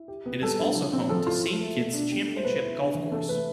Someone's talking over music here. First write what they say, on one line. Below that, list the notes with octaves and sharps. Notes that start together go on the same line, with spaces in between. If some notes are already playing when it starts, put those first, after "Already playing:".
It is also home to Saint Kitts' championship golf course.
Already playing: E4
G4
B3
G3 A4
D4
F3
C4
F3 A4
F4
F4
A3
B2
D4
G4
A3
C5
B2 B4
E4
D4
E3
C3 A4
A3 B4